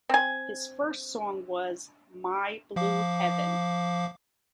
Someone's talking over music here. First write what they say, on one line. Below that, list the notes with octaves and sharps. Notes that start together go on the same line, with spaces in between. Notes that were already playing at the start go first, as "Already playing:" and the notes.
His first song was "My Blue Heaven".
C4 G#5
F3 F5 D6